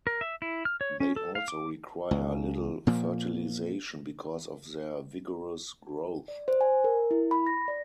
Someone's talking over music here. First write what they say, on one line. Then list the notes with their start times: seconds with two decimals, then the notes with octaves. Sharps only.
They also require little fertilization because of their vigorous growth.
0.07 A#4
0.21 E5
0.42 E4
0.65 F6
0.81 C#5
1.00 C#4
1.16 A4
1.35 F5
1.48 D6
2.11 C#2
2.87 A#2 F3 A#3
6.28 D5
6.48 C5
6.61 G#5
6.84 A#4
7.11 E4
7.31 B5
7.47 A#6
7.68 D5